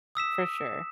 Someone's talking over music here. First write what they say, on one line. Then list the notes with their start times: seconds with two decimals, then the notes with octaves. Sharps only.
For sure.
0.15 D#6 E6 B6 E7